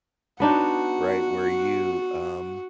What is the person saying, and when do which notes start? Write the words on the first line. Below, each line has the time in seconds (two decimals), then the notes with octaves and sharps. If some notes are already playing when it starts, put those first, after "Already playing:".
right, where you, um,
0.40 B3 D4 D#4 F#4